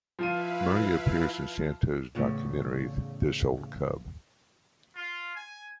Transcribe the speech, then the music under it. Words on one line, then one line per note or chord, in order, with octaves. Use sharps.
Murray appears in Santo's documentary, "This Old Cub".
F3 E4 F4 B4 F5 D#7
E2 A2 C#3
F4
G#5